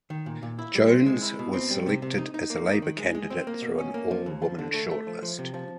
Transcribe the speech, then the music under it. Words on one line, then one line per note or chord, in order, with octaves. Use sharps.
Jones was selected as a Labour candidate through an all-women shortlist.
D#3
A#2
A#2
E4
G3
C4
G#3
E4
B2
C4
G3
C3
C3
D#4
D#4
A#3
D#4
D#3
G#3
G#3
C4
A#3
B2
C#4
A#3
F3
D#2
F3
D3
A3
A3
F3
F3
C3
F3